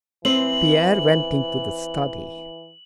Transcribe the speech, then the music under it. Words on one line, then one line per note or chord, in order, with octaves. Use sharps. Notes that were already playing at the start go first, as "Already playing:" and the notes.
Pierre went into the study.
E3 C4 C5 F#7